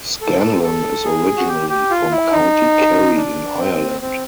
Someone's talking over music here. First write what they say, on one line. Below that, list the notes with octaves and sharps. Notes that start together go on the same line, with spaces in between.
Scanlon is originally from County Kerry in Ireland.
A4
A4
G#4
F#4
G4
G4
F4
E4
D#4
D4
C4
C4